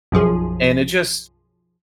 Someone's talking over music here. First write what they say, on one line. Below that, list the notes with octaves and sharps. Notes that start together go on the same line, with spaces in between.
and it just
B1 F#2 F3 G#4